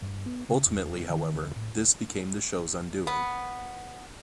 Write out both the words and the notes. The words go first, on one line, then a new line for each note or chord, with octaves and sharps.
Ultimately, however, this became the show's undoing.
G2
B3
C#3
E2
F#1
D#3
D2
A2
D1
B3